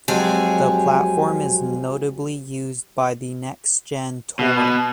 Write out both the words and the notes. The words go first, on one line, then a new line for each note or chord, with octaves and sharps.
The platform is notably used by the Next Gen Tour.
F2 F#3 G#3 G4 G#4 G#5
B2